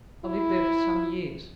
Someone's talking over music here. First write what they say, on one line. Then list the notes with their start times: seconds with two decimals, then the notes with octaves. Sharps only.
I lived there for some years.
0.24 E4